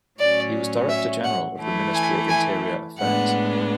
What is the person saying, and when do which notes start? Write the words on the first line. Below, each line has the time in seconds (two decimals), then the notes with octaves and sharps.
He was Director General of the Ministry of Interior Affairs.
0.19 A2 F#3 C#4 D5
0.89 E5
1.24 F#5
1.59 E3 A3 E4
1.95 G#5
2.29 G#5
2.99 A2 G#3 B3 D4 F#5